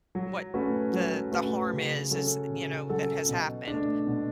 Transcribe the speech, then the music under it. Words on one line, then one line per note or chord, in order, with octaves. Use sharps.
what the the harm is is, you know, that has happened.
F#3
A3 C#4 F#4 B4
F#3
A3 C#4 F#4 B4
C#3
F#3 C#4 F#4 A4
C#3
F#3 C#4 F#4 A4
B2
A3 D4
B2